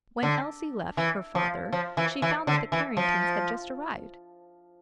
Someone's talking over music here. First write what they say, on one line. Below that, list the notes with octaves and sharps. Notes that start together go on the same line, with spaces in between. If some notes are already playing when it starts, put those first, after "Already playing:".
When Elsie left her father she found that the Carringtons had just arrived.
D3
E3
F3
F3
E3
E3
D3
E3
F3